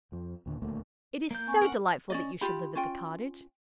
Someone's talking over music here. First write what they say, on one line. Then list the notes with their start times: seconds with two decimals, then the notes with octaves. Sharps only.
It is so delightful that you should live at the cottage!
0.12 F2 F3
0.46 D#2 A#2 D3
0.62 D#1 D2 A3 A#3
1.31 A#3 G6
1.47 C4 G#5 C#6
1.62 A#4 F#5
2.10 C#4 D5 D#5
2.41 F4 G4 B5
2.75 C#4 F4 G5